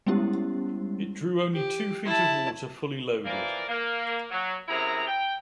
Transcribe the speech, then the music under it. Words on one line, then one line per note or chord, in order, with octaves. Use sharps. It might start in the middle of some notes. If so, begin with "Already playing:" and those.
It drew only two feet of water fully loaded.
G3 G#3 B3 C#4 E4 G4
G4
E4 A5
E3 F3 A#3 A#4 D5
A#3
F#3
F#2 C3 E4 G#4 A#5
G5